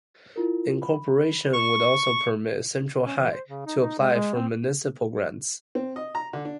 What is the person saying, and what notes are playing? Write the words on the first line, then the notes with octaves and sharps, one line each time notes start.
Incorporation would also permit Central High to apply for municipal grants.
E4 F4 A#4
B5
C#6
C#4
E3
C5
C#3
D#4
D#4
G#3
G#3
C4
C4
D#5
A#5
D3
D4